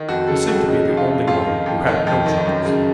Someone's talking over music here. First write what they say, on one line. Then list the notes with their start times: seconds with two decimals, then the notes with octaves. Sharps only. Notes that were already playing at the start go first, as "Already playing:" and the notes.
He seemed to be the only one who had no troubles.
Already playing: D#3
0.09 F2 F#4
0.28 C#3 A4
0.48 F2 F#4
0.68 C#3 D#4
0.88 F2
0.97 F4
1.08 C#3
1.27 F2 F4
1.46 D#3
1.66 F2
1.87 D#3
2.07 F2
2.26 D#3
2.46 F#2
2.65 C#3